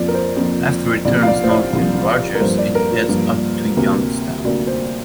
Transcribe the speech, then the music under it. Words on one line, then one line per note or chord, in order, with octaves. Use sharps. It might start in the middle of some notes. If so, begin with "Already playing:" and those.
After it turns north in Rogers, it heads up to Youngstown.
Already playing: F2 F3 A#3 D5
A#4
C5
F2 F3 A#3
C2 A#2 F3 D5
F5
D5
C5
D5
C2 A#2 F3
A#4
G2 F3 A#3 C5
D5
A#4
F4
G2 F3 A#3
D2 C3 A#3
D2 C3 A#3 D5
C5